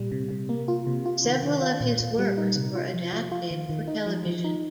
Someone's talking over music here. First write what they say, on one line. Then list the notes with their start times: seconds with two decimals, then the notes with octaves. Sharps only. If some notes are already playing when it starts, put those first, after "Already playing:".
Several of his works were adapted for television.
Already playing: A#2 G3
0.12 C3
0.31 C3
0.49 A#3
0.68 F4
0.87 C3
1.06 F4
1.25 D#3
1.43 D#3
1.62 F4
1.81 A#2
2.00 A#2
2.18 G3
2.38 D#4
2.56 C3
2.75 F4
2.94 F3
3.13 F3
3.32 F4
3.51 D#3
3.69 D#3
3.88 D#4
4.06 F3
4.26 F3
4.44 D#4